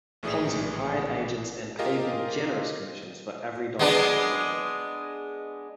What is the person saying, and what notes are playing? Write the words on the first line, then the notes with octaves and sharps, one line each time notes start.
Ponzi hired agents and paid them generous commissions for every dollar they brought in.
A#1 A2 E3 G#4 D5 D#6
F4 G4 G#4 A#4 D#5 F5
G#3 B3 D4